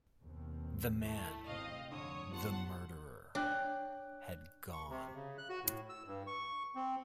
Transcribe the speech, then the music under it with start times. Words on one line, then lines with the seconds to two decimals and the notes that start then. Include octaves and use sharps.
The man — the murderer — had gone.
0.22 D#2 B2 C4
1.03 A2 A3
1.46 G#1 C3 C4 D#5 F5
1.91 F1 G#2 D3 C#5 D#6
2.31 G1 F#5 A5 C6
3.35 D4 C#5 G5 F#6
4.72 C#6
4.89 C3
5.15 C#3
5.38 F#6
5.49 F#4
5.63 A2
5.89 E6
6.07 G2
6.27 C#6
6.75 C4